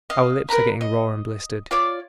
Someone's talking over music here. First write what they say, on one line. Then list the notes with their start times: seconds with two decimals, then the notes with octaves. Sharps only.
Our lips are getting raw and blistered.
0.10 D#5 F5
0.49 A#4 B4 A#5 B5
0.81 D#5
1.71 F4 C#5 D5 D6